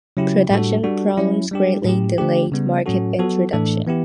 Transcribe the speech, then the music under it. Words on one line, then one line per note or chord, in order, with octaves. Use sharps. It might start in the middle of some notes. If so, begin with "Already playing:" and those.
Production problems greatly delayed market introduction.
C#3 F#3 C#4 E4 G4
A2 G3 D4 F#4 A4
G3 D4 F#4 A4
F#3 C#4 E4
G3 D4 G4
A2 F#3 C#4 G4
D3 A3 D4 G4
C#3 G3 B3
A2 F#3 C#4 F#4 A4
F#3 B3 F#4 A4
A2 E3 A3 D4 A4
E3 B3 E4 G4